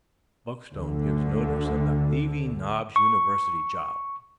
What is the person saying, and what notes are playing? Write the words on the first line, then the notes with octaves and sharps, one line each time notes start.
Buckstone gives notice of the thieving Knobs University job.
D2 D3
C#6